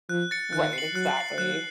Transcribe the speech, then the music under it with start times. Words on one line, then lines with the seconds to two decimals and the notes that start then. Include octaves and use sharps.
right, exactly.
0.09 F3 F#6
0.31 A6 C#7
0.53 D#3 F#6
0.73 C7 F#7
0.95 F#3 F#6
1.17 C7 F#7
1.38 F#3 F#6